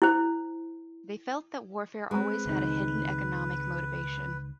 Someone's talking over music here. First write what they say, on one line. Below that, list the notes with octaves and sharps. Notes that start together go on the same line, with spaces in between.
They felt that warfare always had a hidden economic motivation.
E4 C5
G#3 C4 B4
C#2 D#3 D#4